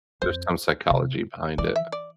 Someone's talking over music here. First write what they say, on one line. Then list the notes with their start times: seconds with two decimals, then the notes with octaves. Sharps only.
There's some psychology behind it.
0.22 F2 C5
0.90 C3
1.58 E3 D5
1.76 E5
1.92 D5